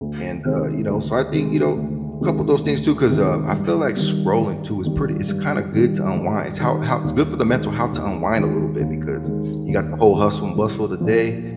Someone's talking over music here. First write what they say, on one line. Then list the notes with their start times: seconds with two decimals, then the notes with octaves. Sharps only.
And, uh, you know, so I think, you know, a couple of those things too, 'cause, uh, I feel like scrolling too is pretty it's kinda good to unwind, it's how how it's good for the mental health to unwind a little bit, because you got the whole hustle and bustle of the day,
0.01 D2
0.45 C3 D#3 G#3
0.88 D2
1.32 C3 D#3 G#3
1.76 D2
2.20 C3 D#3 G#3
2.64 D2
3.08 C3 D#3 G#3
3.53 G2
3.96 D#3 G3
4.41 G2
4.84 D#3 G3
5.28 G2
5.72 D#3 G3
6.17 G2
6.60 D#3 G3
7.04 D#2
7.48 D#3 G#3
7.93 D#2
8.36 D#3 G#3
8.80 D#2
9.24 D#3 G#3
9.68 D#2
10.12 D#3 G#3
10.56 C2
11.01 A#2 F3